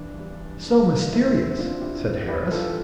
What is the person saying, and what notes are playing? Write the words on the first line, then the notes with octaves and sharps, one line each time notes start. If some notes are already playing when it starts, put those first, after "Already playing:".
"So mysterious!" said Harris.
Already playing: G2 E3 D4
G2
E3
G2 C4 E4
C4 E4
E3 D4 F4
E4 G4
G2
G4 B4
E3 F4 A4